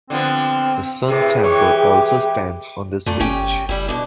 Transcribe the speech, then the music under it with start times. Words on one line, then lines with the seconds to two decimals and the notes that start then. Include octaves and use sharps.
The sun temple also stands on this beach.
0.10 D3 F3 B3 C4
1.08 A2 C3 G#4 B4 G5 D6
1.44 E3 G#3 C#5
1.67 G4
3.06 F2 A#2 A3
3.20 G1 C#4 G4 G5
3.69 F#1 G3 E4
3.88 B2 D4